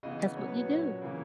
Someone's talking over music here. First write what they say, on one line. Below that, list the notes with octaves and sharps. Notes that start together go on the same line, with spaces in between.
That's what you do.
C#3 E3 B3 D#5
B2 F#3 B3 C#5
B4
C#5
A#2 F#3 C#4
C#3 E3 A#3